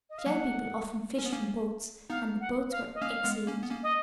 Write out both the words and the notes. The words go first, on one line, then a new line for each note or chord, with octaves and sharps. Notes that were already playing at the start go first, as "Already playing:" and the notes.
The Shell People often fished from boats, and the boats were excellent.
D#5
F5
F#3 A#3 F#5
C#4
B3
A#3 C#4
B3 D#4 F5
F#5
F5
D#5
A#3 C#4 F5
G#3 B3
A#3 C#4
B3
A#3 C#4
D#5